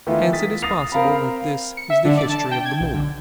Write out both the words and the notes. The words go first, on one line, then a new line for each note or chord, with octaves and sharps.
Hence it is possible that this is the history of the moon.
D#3 E3 A3 B3 E4 F4
D#6 A6 B6
D#6 A6 A#6 C7 F7
C4 A#4 F5 A#5 B5
C#7
E5
D3
D5
A5
G5
G#6
B1
D3